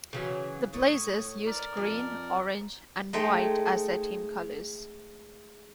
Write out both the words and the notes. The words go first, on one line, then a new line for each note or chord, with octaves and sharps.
The Blazers used green, orange, and white as their team colors.
C#3 E3 F#3
A2 C#6 D#6
A#4 D5
F2
G#3 A3 D#4 C5 G5